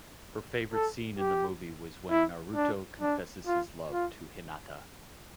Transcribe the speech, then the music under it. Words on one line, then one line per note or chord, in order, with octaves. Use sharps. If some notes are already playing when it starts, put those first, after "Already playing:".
Her favorite scene in the movie was when Naruto confesses his love to Hinata.
A4
G4
E4
D4
D4
F4
F4